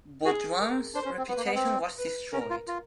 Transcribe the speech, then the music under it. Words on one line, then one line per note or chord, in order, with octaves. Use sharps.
Beaudoin's reputation was destroyed.
F#4 G#4
A#4
D4 C5
C#4
C4
B3 B4
A#3
B3
C4
B4
C#4 A#4
F4
F4